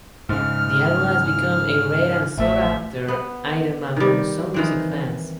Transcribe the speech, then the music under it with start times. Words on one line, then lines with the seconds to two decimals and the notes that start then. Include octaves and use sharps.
The album has become a rare and sought-after item among some music fans.
0.29 G#2 C#3 F6
2.38 A1 A3 E5
3.08 B3
3.96 D#3 G3
4.54 D#3 E3 C4